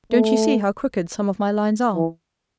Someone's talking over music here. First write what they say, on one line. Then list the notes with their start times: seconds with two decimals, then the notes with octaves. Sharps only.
Don't you see how crooked some of my lines are?
0.12 A3
1.95 E3